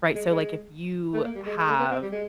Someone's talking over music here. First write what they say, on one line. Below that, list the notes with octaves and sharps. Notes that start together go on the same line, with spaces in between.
Right, so, like, if you have
G#3
G#3
A3
A#3
G3
G#3
G#3
A3
B3
C4
G3
G#3